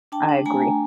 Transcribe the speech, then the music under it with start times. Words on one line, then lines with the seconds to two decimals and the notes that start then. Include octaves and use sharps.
I agree.
0.12 D4 G5 A5
0.29 D4
0.45 A3 G#5 A#5
0.62 A3